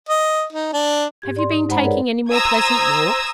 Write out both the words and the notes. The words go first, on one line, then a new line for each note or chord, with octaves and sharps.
'Have you been taking any more pleasant walks?'
D#5
D#4
D4
G#2 G4 G#6
D5 C6
D#4
G2 G#3 C5 F#5 A#5 B5
G#4 A#4 B4 C#5 D5 F#5
C5 A#5 D#6 E6 G#6